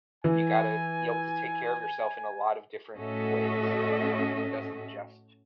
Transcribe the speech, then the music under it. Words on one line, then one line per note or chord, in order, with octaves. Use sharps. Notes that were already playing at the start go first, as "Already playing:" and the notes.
You gotta be able to take care of yourself in a lot of different ways, you know? It doesn't just
E3 G#5
A2 C#4 F#4 A4 D#5 E5